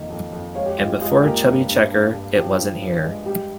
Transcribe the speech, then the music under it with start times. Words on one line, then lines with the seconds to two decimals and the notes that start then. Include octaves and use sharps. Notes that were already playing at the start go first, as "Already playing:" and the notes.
And before Chubby Checker, it wasn't here.
Already playing: F2 D#3 A#3
0.10 F2
0.33 F2
0.55 G#3 C#5 F5
0.66 G4
0.77 G#3 F4
0.89 G4
1.01 G#3 F4 G#4
1.15 G#4
1.22 A#2 G4 A#4
1.45 G2
1.68 G2
1.91 G2
2.13 G2
2.35 F3 G4
2.59 G2
2.81 G2
3.04 G#3
3.26 G3 G4